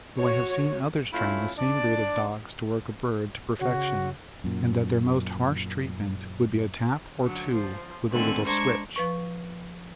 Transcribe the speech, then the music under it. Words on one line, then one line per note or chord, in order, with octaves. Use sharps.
Though I have seen others train the same breed of dogs to work a bird to perfection and that their most harsh treatment would be a tap or two with a little switch.
F#4 C#5
A3 C#4 E4 F4
D4 D5
G1 C#3 F#4 C#5
F#2 A#2
D3 F#3
F3
D3 D#3 A3 C4 G#5 F#6
G#3 D4 C5 A#5 C#6 G#6
F3 B4 C#6